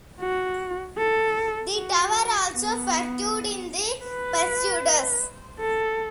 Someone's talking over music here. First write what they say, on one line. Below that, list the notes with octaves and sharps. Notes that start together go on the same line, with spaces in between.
The tower also featured in The Persuaders!
F#4
A4
F#4
B3
B4
A4